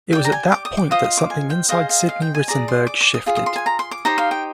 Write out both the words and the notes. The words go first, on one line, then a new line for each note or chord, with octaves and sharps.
It was at that point that something inside Sidney Rittenberg shifted.
G4 D5 G5
A#5
G#5
D6
D#6
D6
F4 C5 D#5 D#6
D#6
D6
G#5
G5
G#4 C5 D#5 F5
F5
F5
G5
G#5
G#4 D5 A#5
C6
D6
D6
D#6
F4 G#4
D#6
C6
G#5
A#5
C6
D6
D#4 G4 C5 A#5
F5
G5